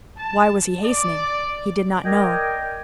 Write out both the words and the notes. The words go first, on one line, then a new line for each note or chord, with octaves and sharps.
Why was he hastening? He did not know.
A5
D5
A#4 D5 D#5 G5 G#5